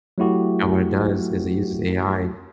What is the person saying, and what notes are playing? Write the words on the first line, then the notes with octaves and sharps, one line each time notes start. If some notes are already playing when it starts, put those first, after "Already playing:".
and what it does is it uses AI
F#3 A3 E4 F#4 G4